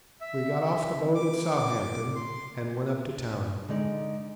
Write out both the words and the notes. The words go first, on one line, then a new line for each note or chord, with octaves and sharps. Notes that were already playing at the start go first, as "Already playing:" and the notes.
We got off the boat at Southampton, and went up to town.
E5
D6
C6
D3 G#3 D#4 D5